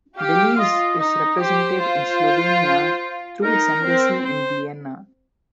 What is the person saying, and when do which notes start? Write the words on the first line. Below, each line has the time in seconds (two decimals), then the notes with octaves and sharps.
Belize is represented in Slovenia through its embassy in Vienna.
0.18 G4 F5
0.55 F5
0.59 F4 D#5
1.00 D#4 D#5
1.41 G4 C5
1.81 F4
3.43 D#4 A#4
3.84 C4
4.25 C5